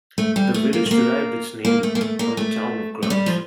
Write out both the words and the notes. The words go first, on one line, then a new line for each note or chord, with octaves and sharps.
The village derived its name from the Town of Grant.
A3
G3
A3
A#3
A3
A#3
A#3
A3
A#3
A3
A#3
A3
A3
G3
F3